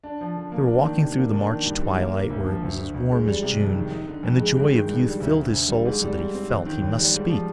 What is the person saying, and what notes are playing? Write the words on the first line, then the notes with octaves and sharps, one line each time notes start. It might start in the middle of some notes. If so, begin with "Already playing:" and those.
They were walking through the March twilight where it was as warm as June, and the joy of youth filled his soul so that he felt he must speak.
D4
F3
D3
A#3
D4
D#3
C3
A#3
D4
D#3
G2
G3
A#3
D3
D2
F3
D2
D3
D2
G#3
G3
C3
F2
D#3
D#4
D3
F2
G#3
G2
D#3
G2
G3
D2
D3
D2
G3
G#2
G3
G#2
C4
D#2
D#3
D#2
G3
G#2
F3